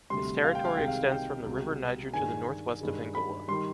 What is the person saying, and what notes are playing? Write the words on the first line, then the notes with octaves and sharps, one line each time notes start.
Its territory extends from the River Niger to the northwest of Angola.
D2 C3 G3 C6
F5
G5
F5
C2 C3 D#3 G#3 G5
F5
G5
C2 B2 G#3
G2 D#3 G#3 G#5
G2 D#3 G#3
B5
D#3 G3 C6